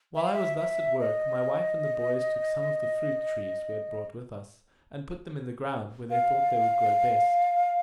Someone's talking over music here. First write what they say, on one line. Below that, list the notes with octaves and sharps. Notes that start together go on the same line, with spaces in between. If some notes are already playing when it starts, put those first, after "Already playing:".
While I was thus at work, my wife and the boys took some of the fruit trees we had brought with us, and put them in the ground where they thought they would grow best.
E5
F5
E5
E5
D#5
F5